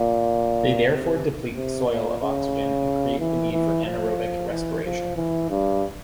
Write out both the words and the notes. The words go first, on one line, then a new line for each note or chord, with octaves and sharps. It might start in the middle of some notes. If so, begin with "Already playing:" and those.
They therefore deplete the soil of oxygen and create the need for anaerobic respiration.
Already playing: A#2
C3
C3
A#2
C#3
E3
E3
F3
E3
F3
E3
G2